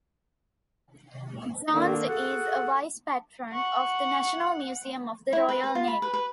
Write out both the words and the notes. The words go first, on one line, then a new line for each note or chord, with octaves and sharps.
Jones is a Vice-Patron of the National Museum of the Royal Navy.
D3 D#3 A#3 C4 D4
F#4 G#4 A4 F#5
F#5 C#6
E4
B4
B4
F4
B5
B4
B4